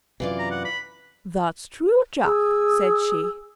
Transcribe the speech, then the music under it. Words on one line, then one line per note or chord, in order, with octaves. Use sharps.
"That's true, Jack," said she.
F#2 C3 E3 F4 D5
A#5
F#5
B5
G#4 E6